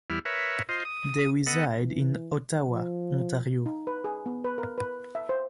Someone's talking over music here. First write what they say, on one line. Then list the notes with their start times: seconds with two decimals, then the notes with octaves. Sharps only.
They reside in Ottawa, Ontario.
0.10 E2 G3 E4 F6
0.25 A#4 B4 C#5 E5
0.69 F4 C5 D#5
0.85 D#6
1.46 B3 A4 D#5 F#5
1.83 E3
2.69 F3
3.66 D#4
3.87 B4
4.04 G#4
4.26 B3
4.44 B4
4.58 A#4
4.78 B4
5.15 E5
5.29 C5